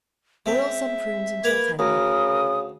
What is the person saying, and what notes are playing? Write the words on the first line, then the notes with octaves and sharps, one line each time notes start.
Boil some prunes until tender.
G#3 C4 E5
A#3 A#4 B4 G#6
D2 C#3 A#4 D#6